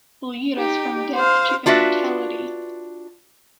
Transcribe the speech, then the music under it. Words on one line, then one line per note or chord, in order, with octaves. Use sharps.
Lead us from death to immortality.
D#4 G4
C5 F5
D4 F4 F#4 B4 E5